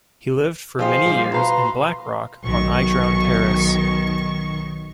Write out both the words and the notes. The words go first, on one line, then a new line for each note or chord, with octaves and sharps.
He lived for many years in Blackrock on Idrone Terrace.
F3 G4 G#4 C5 D#5 F5
F3 G3 D#4
B2 B4 F5 A#5 C6
B1 D#3 C#6